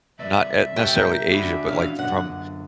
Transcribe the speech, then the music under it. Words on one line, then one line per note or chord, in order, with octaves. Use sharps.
not e necessarily Asia, but, like, from
C2 B4 D5 E5
F#4 A4 G5
A#3 G5
D3 D4 F#4 B5
E3 C#4 E4 F5
F#2 D3 F#5